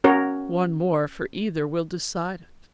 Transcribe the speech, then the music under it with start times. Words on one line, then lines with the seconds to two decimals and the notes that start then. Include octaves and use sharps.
One more for either will decide it.
0.04 C#4 F#4 A#4 C#5